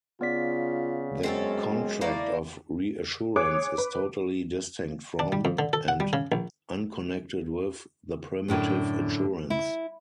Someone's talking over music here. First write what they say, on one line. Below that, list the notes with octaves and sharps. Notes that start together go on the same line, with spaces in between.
The contract of reassurance is totally distinct from, and unconnected with, the primitive insurance.
C#3 B3 F4 D5 B6
F#2 G#3 C4 C#4 A4
A3 A#3 E4 D5
G#4 C#5 D6 F#6
B4
D4
G3
F2
D3
A4
F#5
G3
C#3
A#1
F#2 A2 D3
E4